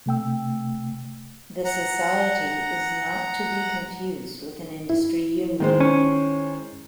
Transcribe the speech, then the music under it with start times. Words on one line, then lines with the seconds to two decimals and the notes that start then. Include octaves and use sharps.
The society is not to be confused with an industry union.
0.06 C3 A3 G5 E6
1.65 F#5 A#5
4.90 E4
5.60 D#3 G#3 C5
5.80 C#4